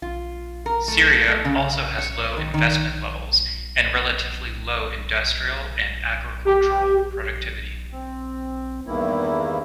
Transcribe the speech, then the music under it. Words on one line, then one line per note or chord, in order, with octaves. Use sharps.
Syria also has low investment levels, and relatively low industrial and agricultural productivity.
F4
A#4
A3
A3
C#3
C#5
D#3
D#3
G4
C4
E2 G2 D#3 A#3 E4